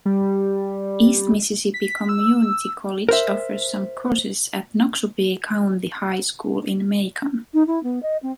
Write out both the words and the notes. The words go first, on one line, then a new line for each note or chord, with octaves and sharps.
East Mississippi Community College offers some courses at Noxubee County High School in Macon.
G3
B6
E6
A#4 C5 E5
D#4
E4
B3
D#5
C4